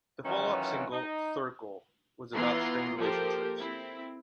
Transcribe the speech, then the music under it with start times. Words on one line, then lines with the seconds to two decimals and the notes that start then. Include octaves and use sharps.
The follow-up single, "Circle," was about strained relationships.
0.24 D#3 E3 F#3 C#4 D#4 F4
0.91 D#4
2.33 E3 B3 F4 A#5 C6
2.97 F3 A#3 G4 A4 A#4 C5
3.58 C4 E4